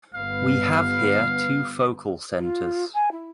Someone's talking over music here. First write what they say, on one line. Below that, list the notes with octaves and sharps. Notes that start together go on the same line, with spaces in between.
We have here two focal centers.
G1 B3 F5
F4
G#5
E4